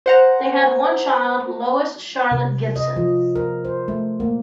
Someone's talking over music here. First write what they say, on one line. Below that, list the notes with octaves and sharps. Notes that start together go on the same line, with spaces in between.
They had one child, Lois Charlotte Gibson.
C5 F#5 A#5
C3
D#5
F3
A#4
C5
A3
A#3